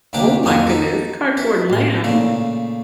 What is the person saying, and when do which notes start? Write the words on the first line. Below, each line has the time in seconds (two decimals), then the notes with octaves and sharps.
Oh my goodness, Cardboard Lamb?
0.13 D2 C3 A#3 D4 G4 D6
0.43 B1 F2 A#3 F4 G#5
0.67 D#4 A4
1.37 E4 B4
1.70 A1 C6
2.04 A#2 C#3 A3